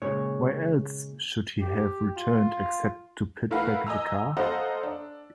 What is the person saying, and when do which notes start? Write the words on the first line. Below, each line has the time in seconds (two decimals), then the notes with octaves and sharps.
Why else should he have returned except to put back the car?
0.02 A#2 C#3 G#3 C#5
1.61 G4
2.17 F4
3.51 A3 E4 A#4 B4 F5 F#5
3.87 D#5 G#5 A#5 E6
4.37 A4 C5 D#5 F5 F#5 A#5
4.83 D4